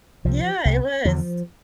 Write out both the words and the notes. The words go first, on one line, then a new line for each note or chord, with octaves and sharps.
Yeah, it was.
C2 C3 F3
C2 C3
E2 D3 F3